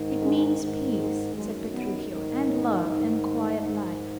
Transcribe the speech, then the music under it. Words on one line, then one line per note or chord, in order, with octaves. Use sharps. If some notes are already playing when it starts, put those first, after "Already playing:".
"It means peace," said Petruchio, "and love, and quiet life."
Already playing: G#2 D#3
G#3
G#2 D#3
G#3
F#2 D#3 G#3
B3
G#2 D#3
C#4
G#2 D#3 D#4
G#2 D#3 D#4